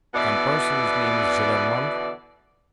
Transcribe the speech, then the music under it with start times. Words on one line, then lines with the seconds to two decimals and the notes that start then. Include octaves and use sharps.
"Some person whose name is Gillenormand?"
0.15 B2 D3 E3 B3 D5